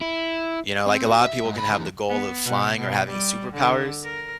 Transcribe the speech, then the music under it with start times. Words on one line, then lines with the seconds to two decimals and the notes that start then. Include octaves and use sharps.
You know, like, a lot of people can have the goal of flying or having superpowers,
0.01 E4
0.87 C4
1.06 F#4
1.21 D#5 E5
1.45 G#2
1.58 C#2 B5
1.74 E2 D#4
2.09 B3
2.45 B2
2.77 B2
3.09 G3
3.52 D3
4.03 A#4